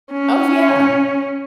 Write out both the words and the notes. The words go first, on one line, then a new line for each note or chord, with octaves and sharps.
Oh yeah.
C#4